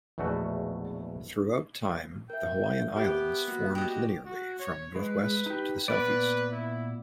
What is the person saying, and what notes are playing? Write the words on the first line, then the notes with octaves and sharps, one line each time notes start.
Throughout time, the Hawaiian Islands formed linearly from northwest to the southeast.
A#1 E2 B2 A3 F#4
A#4 E5 G5
B3 G4
A#3 F#4
F#4 G4 D#5
F#4
C#5
G#3 B4
D#4 G4
A#2 B3 B4 D5
E4